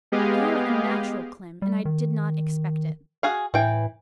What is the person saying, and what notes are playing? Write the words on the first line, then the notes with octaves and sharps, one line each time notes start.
"You are unnatural, Clym, and I did not expect it."
G#3 B3 G4 G#4 D#5 F5
G3
D#3
F#4 G#4 F5
A2 E3 G5